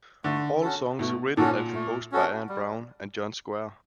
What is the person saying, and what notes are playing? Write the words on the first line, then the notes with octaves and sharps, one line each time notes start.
All songs written and composed by Ian Brown and John Squire.
D3 A3
C#4 F#4 A4
B2 A3
A#2 C#4 F#4 A4
A3
C#4 F#4 A4
G3